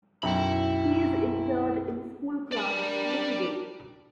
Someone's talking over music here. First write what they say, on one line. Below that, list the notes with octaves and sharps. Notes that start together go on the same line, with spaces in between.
He is interred in Schoolcraft, Michigan.
B1 F#2 E4 E5 G5 B5
D4 G4 A#4 D5 B5